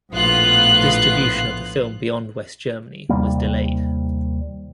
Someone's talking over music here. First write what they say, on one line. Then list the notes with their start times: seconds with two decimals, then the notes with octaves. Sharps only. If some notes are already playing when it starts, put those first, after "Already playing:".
Distribution of the film beyond West Germany was delayed.
0.12 A#1 A2 B3 F4 F#6
3.09 D#2 C3 G3 A#3